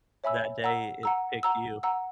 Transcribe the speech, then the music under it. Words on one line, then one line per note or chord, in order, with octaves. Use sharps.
that day it picked you.
C#5 E5 G#5 B5 E6
F#5 A#5 E6
F#5 A#5 E6
F#5 A#5 E6
F#5 A#5 E6